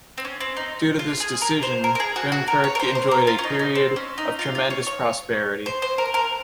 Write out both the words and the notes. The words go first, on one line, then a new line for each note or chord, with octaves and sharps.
Due to this decision, Vimperk enjoyed a period of tremendous prosperity.
C4
C#4
C4
D#4
F4
G#4
A#4
C5
A#4
A#4
G#4
F#4
F#4
A#4
C#5
A#4
C5
C5
A#4
F4
C#4
D#4
D#4
C4
C#4
D#4
F4
F4
C#5
C#5
C5
C5
A#4
A#4